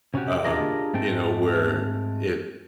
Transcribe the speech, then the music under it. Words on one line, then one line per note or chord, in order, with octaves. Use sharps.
um, you know, where it
C3 C#4 D#4 F#4 G4
D4 F4 G4 G#4 A#4 D#5
G#2 A3 C4 G5